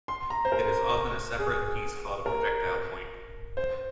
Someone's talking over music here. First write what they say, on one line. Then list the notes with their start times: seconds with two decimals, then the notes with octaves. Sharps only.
It is often a separate piece called a projectile point.
0.08 C6
0.30 A#5
0.45 C5
0.52 A#4
1.39 G#4
2.26 A#4
3.57 C5